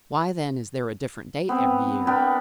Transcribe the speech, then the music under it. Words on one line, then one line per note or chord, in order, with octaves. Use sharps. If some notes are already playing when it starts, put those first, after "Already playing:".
Why then is there a different date every year?
B3 C4 B4
B3 D4 G4 A#4